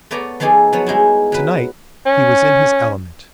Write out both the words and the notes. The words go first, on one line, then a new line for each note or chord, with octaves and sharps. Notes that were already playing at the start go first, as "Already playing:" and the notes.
To-night he was in his element.
A3 B3 C#5 D5 A#5
F3 B3 D#4 G#4 A4 D5
F3 F#3 B3 C#5
G3 G#3 D#4 E4
F#3 B4
C#4